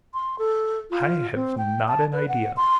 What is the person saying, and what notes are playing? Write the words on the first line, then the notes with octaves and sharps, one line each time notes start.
"I have not an idea."
C6
A4
F4
C4
G5
A5
B4
F#5
C6